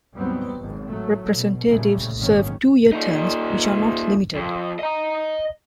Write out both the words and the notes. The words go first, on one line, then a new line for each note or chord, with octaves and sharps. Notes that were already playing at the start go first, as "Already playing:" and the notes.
Representatives serve two-year terms which are not limited.
D#2 G#2 F#3 G3 B3 C4
G#1 C#2
A2 F#3 A3
B2
A#2 C#3 G3 A3
G#1 G#2 D#3 F#3 A#3 C#4
A#2 D#4
F2
D#5 A#5